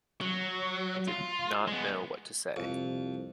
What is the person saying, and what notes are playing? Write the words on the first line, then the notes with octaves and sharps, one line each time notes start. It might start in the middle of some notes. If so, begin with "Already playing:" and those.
I did not know what to say.
F#3
F4
G#3 B3
C2 F2